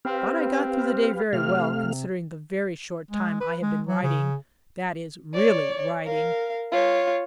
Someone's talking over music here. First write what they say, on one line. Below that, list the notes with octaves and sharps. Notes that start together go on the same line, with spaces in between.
But I got through the day very well, considering the very short time I have been riding--that is, really riding.
C4 G4 B4 F5
C3 A3 F5 F6
G#3
B4
G#3
F#3
C#3
C#5 D5
A#4 F5
F4 C#5